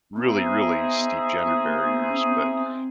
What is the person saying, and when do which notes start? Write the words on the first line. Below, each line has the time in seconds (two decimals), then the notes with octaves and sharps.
really, really steep gender barriers, but sh
0.15 B3 D#4 G#4 C5 E5
1.45 B3
1.66 A#3
1.87 B3
2.09 C#4
2.18 C4
2.26 B3
2.34 C4
2.73 C4